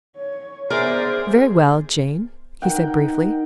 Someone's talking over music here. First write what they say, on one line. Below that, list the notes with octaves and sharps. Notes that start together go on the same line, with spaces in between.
"Very well, Jane," he said, briefly.
C#5
B3 G#4 A#4 C5 D5 E5
D#3 F#5 G5